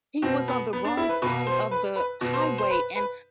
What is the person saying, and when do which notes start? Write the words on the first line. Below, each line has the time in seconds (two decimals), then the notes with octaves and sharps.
he was on the wrong side of the highway and
0.22 B2 C4
0.48 B3
0.73 B3
0.84 D4
0.97 E4
1.09 B4
1.22 B2 B4
1.47 C5
1.71 B4
1.96 B4
2.21 B2
2.34 C5
2.58 C5
2.71 B4
2.96 B4